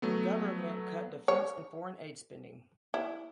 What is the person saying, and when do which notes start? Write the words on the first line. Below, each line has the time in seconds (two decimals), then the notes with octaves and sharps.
The government cut defence and foreign aid spending.
0.02 F#3 A3 B3
1.28 C#5
2.94 E4